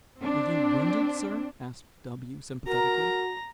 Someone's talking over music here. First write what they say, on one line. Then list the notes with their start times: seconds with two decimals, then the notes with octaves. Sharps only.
"Were you wounded, sir?" asked W----, sympathetically.
0.19 C4 D4
2.67 F#4 A#4 A#5